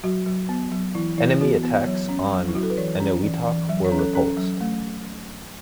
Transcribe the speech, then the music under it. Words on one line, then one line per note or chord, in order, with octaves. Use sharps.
Enemy attacks on Eniwetok were repulsed.
F#3 F#4
F#3
B3
F#3
E3 E4
E3 E4
B3 F#4
B3
F#3 C#5
C#4
F#3
E4
F#3 F#4
A4
B4
E3 C#5
C#4
E3
E3
F#3 E5
C#5
C#4
A4
C#4 A4
F#3
A3